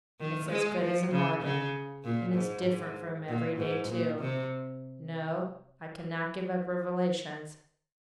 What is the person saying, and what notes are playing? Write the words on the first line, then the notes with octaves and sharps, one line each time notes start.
It's as good as an organ, and as different from every day, too. No, I cannot give up Revelations.
D#3
G#3
F3
C#3
C#3
A#2
G#2
G#2
A#2
G#2
A#2
C3